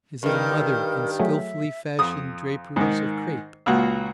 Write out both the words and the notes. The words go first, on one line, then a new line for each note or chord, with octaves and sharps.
Is it a mother in skilfully fashioned draperies of crape?
G2 D#3 A#4
F#3 A3 G#4 E5
F2 D#6
G#2 D#3
C#2 A#2 F#4